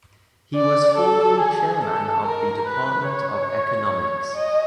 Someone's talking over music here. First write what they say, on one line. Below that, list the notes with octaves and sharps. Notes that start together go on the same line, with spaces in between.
He was formerly chairman of the department of economics.
D5
A4
G#4
A4
A#4
B4
C#5
D#5